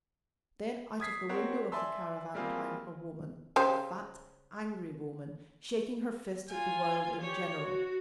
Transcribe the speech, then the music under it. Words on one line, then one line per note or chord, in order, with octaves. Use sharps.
Then out of the window of the caravan climbed a woman--a fat, angry woman, shaking her fist at the world in general.
D#6 G#6 B6 C7
C4 F#4 A#4 C#5
D5 E5 G#5 A5 C6 E6
G3 A#3 C4 F4 G#4
C#3 G4 C5
F4 G#5
G4 C#5
F#4